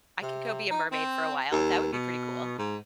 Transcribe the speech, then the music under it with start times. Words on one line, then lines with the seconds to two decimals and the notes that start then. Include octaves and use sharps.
I could go be a mermaid for a while, that would be pretty cool.
0.23 C3
0.71 D#4
0.92 C4
1.52 D#2
1.92 B2
2.59 G#2